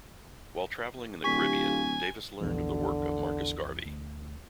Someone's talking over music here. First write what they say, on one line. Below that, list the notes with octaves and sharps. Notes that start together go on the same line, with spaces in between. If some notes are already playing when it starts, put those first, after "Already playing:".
While traveling in the Caribbean, Davis learned of the work of Marcus Garvey.
D1 D3 F4 G4 G#5 C#6 B6
A#1 E2 D3 E3
D2